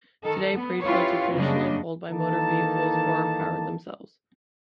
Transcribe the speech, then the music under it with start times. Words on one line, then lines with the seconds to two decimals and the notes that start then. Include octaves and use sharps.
Today, parade floats are traditionally pulled by motor vehicles or are powered themselves.
0.23 D#3 A4
0.52 B3
0.83 C#4 E4 F4 G4 B4 C#5
1.34 F#2 C#3 G3 A#3 D4 D#5
2.10 D#3 E3 A#3 D#4 A4 A5